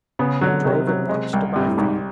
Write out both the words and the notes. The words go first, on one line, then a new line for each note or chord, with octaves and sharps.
I drove at once to Byfield.
C#3 B3
D3 F#3
C3 D#3
F#3
G#3
C2
G2 C3
A2
C2 G#2